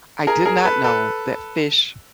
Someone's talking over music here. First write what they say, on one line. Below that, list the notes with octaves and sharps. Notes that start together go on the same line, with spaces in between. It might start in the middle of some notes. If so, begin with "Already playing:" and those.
I did not know that fish
G#4 A#4
G#4 A#4
A4 B4
A4 B4